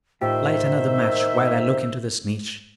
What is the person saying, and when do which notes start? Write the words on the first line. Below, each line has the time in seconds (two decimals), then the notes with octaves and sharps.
Light another match while I look into this niche.
0.21 A2 D#3 F4 G4 C5 E5